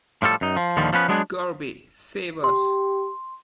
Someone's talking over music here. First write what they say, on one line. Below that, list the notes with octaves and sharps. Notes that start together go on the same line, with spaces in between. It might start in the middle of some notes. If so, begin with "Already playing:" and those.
Gorby, save us!
A2 F3 G3 A4
F#2 D#4
F3
D#2 A#2 D3 D#3 F3 G3
F3 B3 C#4 B4
F#3 G#3 B3 D4 G4 G#4
G4 C6